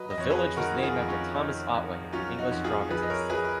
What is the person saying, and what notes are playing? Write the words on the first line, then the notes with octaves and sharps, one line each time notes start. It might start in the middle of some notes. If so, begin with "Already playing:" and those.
The village was named after Thomas Otway, an English dramatist.
Already playing: F#3 B4 D#5
D#5
F2 C#5
G#4 B4
D#3 F#4 A#4
F#4
F4 G#4
F2
C#4 F4
D#3
F2
F#3 C#4 F4
D#4 F#4
F2
F4 G#4
F3 G#4 B4
D#5
A#4 C#5
F3 G#4 B4
B4